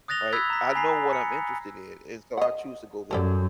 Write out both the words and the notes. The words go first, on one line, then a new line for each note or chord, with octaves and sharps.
right? I know what I'm interested in, and so I choose to go that route.
D#6 F#6 A6 A#6 F7 G7
B5 E6 F#6 G#6 B6
A#5 B6
G#5 A#5 B5 B6 C7
C#7
D#5 F#5
F#2 G3 A4 A#4